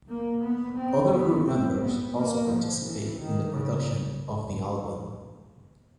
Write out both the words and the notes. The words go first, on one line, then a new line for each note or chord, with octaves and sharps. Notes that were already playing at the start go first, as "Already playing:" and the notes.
Other group members also participated in the production of the album.
A#3
B3
C4
B3
C4
B3
A#3
F3
E3
D#3
C#3